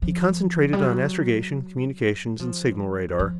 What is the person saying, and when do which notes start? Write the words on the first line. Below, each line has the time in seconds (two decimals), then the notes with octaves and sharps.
He concentrated on astrogation, communications and signal radar.
0.02 F3
0.73 G3
0.82 F#3
2.40 F3
3.19 F3